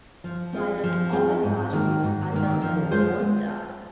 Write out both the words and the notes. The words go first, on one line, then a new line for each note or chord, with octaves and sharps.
While not all fast foods are junk foods, most are.
F3
C4 F4 G#4
F3
C4 F4 G#4
G#2
D#3 A#3
G#2
D#3 A#3
F3
G#3 F4 G#4 C5